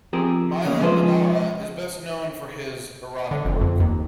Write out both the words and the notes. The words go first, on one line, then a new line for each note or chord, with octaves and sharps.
Milo Manara is best known for his erotic work.
F3 C4 G4 G#4 A#4
E2 C#3 A#3 C#4
F3 G#3 C#4 F4 B4 C5
D3
F1
F2
D#2